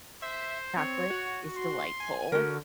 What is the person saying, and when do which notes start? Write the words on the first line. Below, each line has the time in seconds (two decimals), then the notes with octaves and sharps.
Chocolate is delightful.
0.22 C5 E5
0.77 C4 C#5
1.10 F#4
1.56 C6
2.00 G#5
2.32 D3 C#4 F#4 A#4